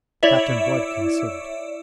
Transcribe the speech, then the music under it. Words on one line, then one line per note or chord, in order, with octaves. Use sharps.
Captain Blood considered.
E4 C#5 D5 E5